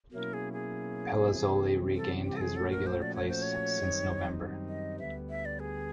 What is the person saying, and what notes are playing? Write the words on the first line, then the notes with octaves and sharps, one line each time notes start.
Pelizzoli re-gained his regular place since November.
B2 F#3 A#3 C#4 E4 A#4
G#4
G#4
C3 E3 G3 C4
A4
G4
A4
G#4
A#2 F3 A3 C#4 F#4 A4
A#4
C5
D5
C#5
C5
C#5
F#2 D#3 G3 C4 D#4
D#5
D2 D3 G3 B3 E5
E5
D5
G#4